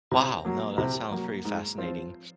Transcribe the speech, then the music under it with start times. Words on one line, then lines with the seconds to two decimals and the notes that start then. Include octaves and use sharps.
Wow. No, that sounds pretty fascinating.
0.12 C3
0.45 F#3 A#3
0.78 C3
1.11 F#3 A#3
1.45 G#2
1.78 F3 C4 F4 C5